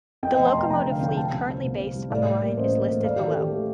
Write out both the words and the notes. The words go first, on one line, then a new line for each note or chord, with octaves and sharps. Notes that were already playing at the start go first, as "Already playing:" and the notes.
The locomotive fleet currently based on the line is listed below.
F2 D#5 G5
D#5 G5
F1
A5 C6
F1 G5 A#5
F1 G5 A#5
D3
F5
F2 G5
C3 F5 A5
C2
C4
C2
C2
G3
A2 D5 F5
A2
A#3
A1 C5 D#5
A#3
A2
A3 D5 F5
G4
D#3
A4
D#3 G4
A3